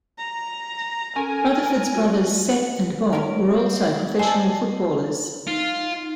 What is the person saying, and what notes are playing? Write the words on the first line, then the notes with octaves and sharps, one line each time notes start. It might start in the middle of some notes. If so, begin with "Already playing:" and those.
Rutherford's brothers Sep and Bob were also professional footballers.
A#5
C#4 A4 A#4 G#5
F2 F4 F#4
C#4 A#4
C4
D4 A4 C5 D#5 G#5
D#4 F4